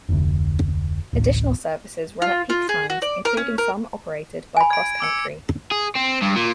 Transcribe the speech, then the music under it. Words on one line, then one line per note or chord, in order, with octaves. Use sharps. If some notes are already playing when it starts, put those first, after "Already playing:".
Additional services run at peak times, including some operated by CrossCountry.
F1 D2
D1 A1
F4
F4
G#4
F#4
D5
A#4
C#4
A#4
G#5 B5
G#6 D7
D6 E6 C#7
G#4
C4
G2
A#2